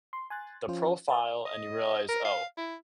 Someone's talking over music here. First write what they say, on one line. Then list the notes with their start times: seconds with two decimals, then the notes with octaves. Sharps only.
the profile and you realize, "Oh,
0.13 C6
0.30 G#5 C6 F#6 A6
0.68 F3 C#4 F4 C5
1.08 B4 E5 A5 D#6
1.46 D#5
2.09 A#4
2.25 F5
2.57 E4